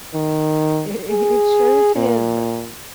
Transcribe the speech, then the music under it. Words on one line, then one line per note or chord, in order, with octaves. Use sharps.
it it shows him
D#3
G#4
A#2